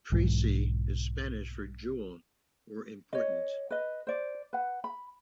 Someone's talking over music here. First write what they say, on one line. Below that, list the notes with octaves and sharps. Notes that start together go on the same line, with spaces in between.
"Presea" is Spanish for "jewel" or "important".
B1 G#2 E3
C#5 D#5
B4 D#5
C5 D5
B4 F#5
B5